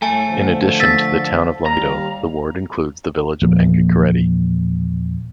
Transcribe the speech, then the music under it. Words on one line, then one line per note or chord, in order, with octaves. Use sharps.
In addition to the town of Longido, the ward includes the village of Engikareti.
A2 A3 G#5 A5
D3 F3 A4
E6 A6 B6
D#2 G3 F5 A#5
E1 A#2 F3 A#3